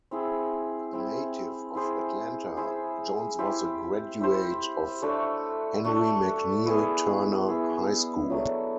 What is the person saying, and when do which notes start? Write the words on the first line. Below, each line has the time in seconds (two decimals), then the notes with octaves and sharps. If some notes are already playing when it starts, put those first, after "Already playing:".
A native of Atlanta, Jones was a graduate of Henry McNeal Turner High School.
0.11 C4 E4 G#4
0.93 C4 E4 G#4
1.75 E4 G#4 C5
2.57 E4 G#4 C5
3.39 E4 G4 C5
4.21 E4 G4 C5
5.02 A3 D4 F#4 A4
5.84 A3 D4 F#4 A4
6.66 B3 E4 G#4
7.48 B3 E4 G#4
8.30 F#3 A3 D4